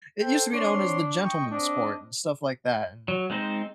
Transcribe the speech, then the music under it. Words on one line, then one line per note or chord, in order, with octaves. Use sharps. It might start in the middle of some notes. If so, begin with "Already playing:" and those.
it used to be known as the gentleman's sport and stuff like that, and
A4 C5 G5
C4 D4 C#5 C6
D#5 G5 C#6
C4 D4 D#5
F#3
G#3 C4 D#4 C5